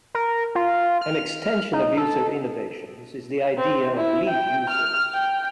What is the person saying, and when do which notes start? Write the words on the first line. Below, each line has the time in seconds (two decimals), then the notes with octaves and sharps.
An extension of user innovations is the idea of lead users.
0.15 A#4
0.55 F4
1.01 F6
1.73 D#4
1.97 A4
3.58 C4
3.96 E4
4.29 G5
4.70 F6
5.14 G5